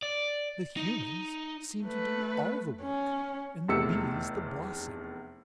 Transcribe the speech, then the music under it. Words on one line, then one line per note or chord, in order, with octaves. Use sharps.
"The humans seem to do all the work, and the bees the bossing!"
D5
D#4
A3 B4
C#4
F1 E2 A3 G4 E6 C#7